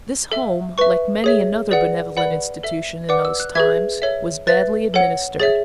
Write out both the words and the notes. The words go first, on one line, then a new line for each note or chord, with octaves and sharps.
This home, like many another benevolent institution in those times, was badly administered.
A4 E5
B4 E5 C#6
G#4 C#5 E5
G#4 B4 D5 F#5
B4 D5 F#5 B5
A4 E5
B4 D5 F#5 D6
E6
F#6
G#4 B4 E5 G#6
A4 C#5 E5
B4 E5 A6
A4 C#5 F#5
G#4 C#5 E5 A6